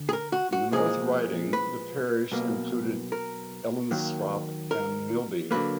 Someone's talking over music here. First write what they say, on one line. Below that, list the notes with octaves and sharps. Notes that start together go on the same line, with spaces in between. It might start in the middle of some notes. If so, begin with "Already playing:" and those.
In the North Riding the parish included Ellenthorpe and Milby.
Already playing: D2 D3
G#4
A#4
F#4
F#4
A#2 F3 G#3 G#4
B4
B1 B2 A#3
A#4
D#2 D#3 F#3 A#3
A#4
D3 F#3 A#3 B4